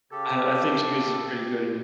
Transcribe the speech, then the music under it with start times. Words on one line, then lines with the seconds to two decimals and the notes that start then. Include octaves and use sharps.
I I think she was, uh, pretty good in
0.11 C#3 G4 A4